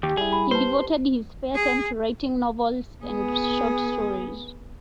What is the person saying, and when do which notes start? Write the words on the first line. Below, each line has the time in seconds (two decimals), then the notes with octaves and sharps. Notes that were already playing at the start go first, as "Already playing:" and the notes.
He devoted his spare time to writing novels and short stories.
0.03 D#2 G4
0.17 G3 E4 G#4
0.33 B5
0.51 B4 C5 A5
1.55 G#4
3.04 B3 G#4